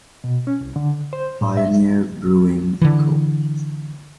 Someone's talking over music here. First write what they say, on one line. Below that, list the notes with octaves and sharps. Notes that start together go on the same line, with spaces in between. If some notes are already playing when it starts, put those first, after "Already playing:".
Pioneer Brewing Co.
B2
C#4
C2
D3
C5
A2
E5
D3 E3